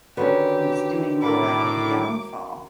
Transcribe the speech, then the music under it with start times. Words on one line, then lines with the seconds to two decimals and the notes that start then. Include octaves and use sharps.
who's doing well to have a downfall."
0.17 D3 D#3 C#4 F#4 G4 B4 C6
1.22 A2 A#4 B5 D6